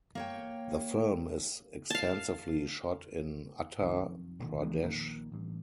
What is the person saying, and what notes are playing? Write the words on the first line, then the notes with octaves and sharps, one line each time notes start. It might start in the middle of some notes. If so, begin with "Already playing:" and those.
The film is extensively shot in Uttar Pradesh.
A#3 C#5 G5
F5 A5
C2 F#2 D#3
F2
B1 A#2 D3 D#3
E3 G#3 B3 D4
A#1 A#2 D#3 A#3
A1 G2